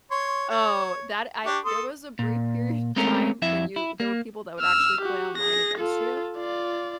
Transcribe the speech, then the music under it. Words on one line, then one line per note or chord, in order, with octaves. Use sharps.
Oh, that I there was a brief period of time when you there were people that would actually play online against you,
C#5 C6
C#5
D4 G4 C#6
A4 C6 D#6
A#2
G#3 A3 C4 C#4 A#4
F2 E4 E5
E4
A#3
E6 F6
F#4 G4
G#4 A#6
F4 A4
F4 D5